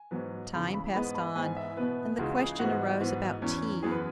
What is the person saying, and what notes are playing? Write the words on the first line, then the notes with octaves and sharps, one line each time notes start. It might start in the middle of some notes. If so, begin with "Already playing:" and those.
Time passed on, and the question arose about tea.
Already playing: G#5
G#2 F#3 B3
E2 C#3 E3 B5
B5
G#2 G#3 B3 B5
B5
G#2 E3 B3 G#5
E5
B2 B3 B4
C#2 C#3 E3 G#3 F#4
G#4
G#2 E3 G#3 B3 F#4
G#2 E3 B3
E2 E3 C#4
F#2 E3 B3 G#4
B4